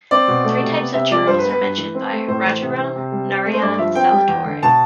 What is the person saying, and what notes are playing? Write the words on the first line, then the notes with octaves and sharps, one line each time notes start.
Three types of Churels are mentioned by "Rajaram Narayan Saletore".
C4 D5
B2
A3
C3
B3
C3 E5
F3 D5
G2 C5
B4
B3
B4
G2 B4
E3
C4
A3
A2 C5
E3
C3
C4
C3
G3
C4
A3
C5
G2 D5
F3 E5
C4 G5
G3
E2
D3
B2 A5